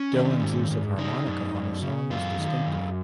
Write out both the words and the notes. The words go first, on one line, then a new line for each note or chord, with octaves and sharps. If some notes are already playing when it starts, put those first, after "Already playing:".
Dylan's use of harmonica on the song is distinctive.
Already playing: C#4
D#3
G#2
G#2
C#3 D#4
F#2
F#2
C#3
F#2 F4
D#3
F#2